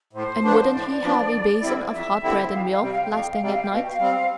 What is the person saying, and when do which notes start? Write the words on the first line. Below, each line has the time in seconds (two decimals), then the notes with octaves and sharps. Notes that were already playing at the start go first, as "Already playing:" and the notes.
And wouldn't he have a basin of hot bread and milk last thing at night?
0.13 A2 C5
0.43 F3 B3 D4
0.72 A2 D5
1.02 F3 B3 D4
1.32 F2
1.62 D3 G3 C4 E4
1.91 F2 E5
2.22 D3 G3 C4 E4
2.51 F2 F5
2.62 G5
2.72 F5
2.81 C3 G3 G5
2.91 F5
3.02 G5
3.10 F2 F5
3.21 G5
3.31 F5
3.41 C3 G3 G5
3.51 F5
3.61 G5
3.70 B2 F5
3.82 G5
3.92 F5
3.99 G3 C4